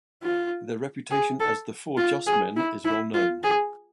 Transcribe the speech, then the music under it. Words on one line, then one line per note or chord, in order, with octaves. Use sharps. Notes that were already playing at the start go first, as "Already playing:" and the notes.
Their reputation as the "Four Just Men" is well known.
F4
G#4
A4
F4
G#4
E4
E4
F4
G#4